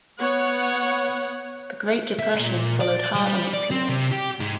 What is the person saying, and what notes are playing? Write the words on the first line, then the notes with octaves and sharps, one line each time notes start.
The Great Depression followed hard on its heels.
B3 C#5 F#5
E5
A#2
D5
G3
D5
C4
C3
G4
G#2